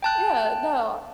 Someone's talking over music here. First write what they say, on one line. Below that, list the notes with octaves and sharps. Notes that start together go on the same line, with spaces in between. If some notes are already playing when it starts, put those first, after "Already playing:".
Yeah, no.
G5 A5 F#6